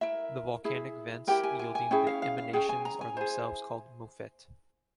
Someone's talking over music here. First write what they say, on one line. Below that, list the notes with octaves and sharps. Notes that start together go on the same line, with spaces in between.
The volcanic vents yielding the emanations are themselves called mofette.
E4 A#4 E5
E4 G#4
E4 G4 A#4 G5
G#5
G#5
G#5
C#4 E4 G#4 G5
F5
F5
F5
C#4 F4 G#4 G5
G#5
A#5
G#5
E4 G#4 C5